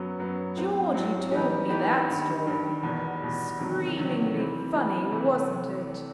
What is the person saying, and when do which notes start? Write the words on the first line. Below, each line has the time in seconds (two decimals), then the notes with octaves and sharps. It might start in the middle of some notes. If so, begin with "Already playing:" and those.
Georgey told me that story. Screamingly funny, wasn't it?
Already playing: F#2 F#3 B3
0.18 F#2 F#3 B3
0.56 A2 F#3 C4
0.94 A2 F#3 C4
1.32 E3 G3 B3 D#4 G4
1.69 E3 G3 B3 D#4 G4
2.08 G2 D#3 G3
2.46 G2 D#3 G3
2.83 E2 B2 G3
3.21 E2 B2 G3
3.59 E2 C3 D#3 F#3
3.97 E2 C3 D#3 F#3
4.36 E3 G3 C4
4.74 E3 G3 C4
5.11 C3 E3 A3